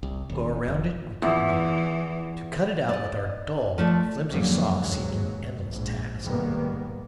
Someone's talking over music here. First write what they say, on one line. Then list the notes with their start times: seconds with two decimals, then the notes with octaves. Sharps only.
Go around it we could not; to cut it out with our dulled, flimsy saw seemed an endless task.
0.03 C2
0.30 D#1
0.68 F1
1.22 E2 E3 E4 F4 D6 D#6
2.89 D5 D#5
3.78 F3 A3 D5
4.30 F1 D3 F3 F#3 G#3 A#3
4.82 G#1 D#2 G#2 B2 F#3
5.69 A#1 G#2
6.24 B1 G#2 D#3 G3 A#3 B3